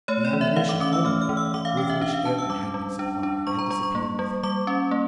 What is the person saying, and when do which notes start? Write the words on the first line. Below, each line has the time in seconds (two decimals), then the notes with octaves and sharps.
The ammunition only, with which Ayrton had been supplied, had disappeared with him.
0.08 A3 C#5
0.25 D5
0.33 E3
0.41 E5
0.56 E3 F5
0.69 D6
0.80 C#4 D6
0.93 E6
1.05 A3 F6
1.22 F6
1.29 E3
1.37 E6
1.54 E3 D6
1.65 F5
1.77 C#4 G5
1.90 E5
2.01 D4 F5
2.14 F5
2.25 D4 A5
2.38 E6
2.50 G3 D6
2.74 G3
2.99 D4
3.23 D4
3.47 G3 C#6
3.59 A#5
3.70 G3 C#6
3.83 C#6
3.95 A#3
4.19 G3
4.43 G3 D6
4.67 C#4
4.91 A#3